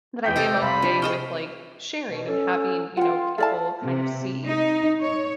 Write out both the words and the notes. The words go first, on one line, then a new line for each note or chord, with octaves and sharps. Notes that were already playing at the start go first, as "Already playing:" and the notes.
but I am okay with, like, sharing and having, you know, people, kind of, see,
E2 G5 G6 B6
C3 A4 D#5 D6 A6
C2 F5 B5 C6
F3 D4
G#4 D#5 G5 C#6 F6 E7
B2
C#4 A4
F4 F#5 G5
E4 A4 D5 E5 F5 A5
C3
D#4
C#5